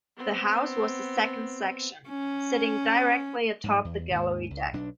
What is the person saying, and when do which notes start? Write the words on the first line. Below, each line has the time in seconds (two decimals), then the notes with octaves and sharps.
The house was the second section, sitting directly atop the gallery deck.
0.17 B3 C4
2.09 C#4
3.64 G#2 F#3
3.85 E2
4.11 D#2 G#2
4.50 C#2
4.73 B1 D4